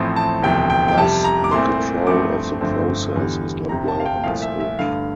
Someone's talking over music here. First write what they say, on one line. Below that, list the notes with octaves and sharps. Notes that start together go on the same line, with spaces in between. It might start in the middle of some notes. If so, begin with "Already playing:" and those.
Thus the control of the process is not well understood.
Already playing: A1 A2 F3 C4
A5
E1 D2 C3 F3 G5
G5
G5
F2 C3 G3 A5
A#5
D6
C2 A#2 A3 C4 C6
G2 F3 A3 C4 D6
G1 F2 D3 A3 C4
E2 D3 G3
F1 F2 C3 A#5
A5
F5
G5
C2 A#2 F3 A3 F5
E5
E5
G2 D3 A3 F5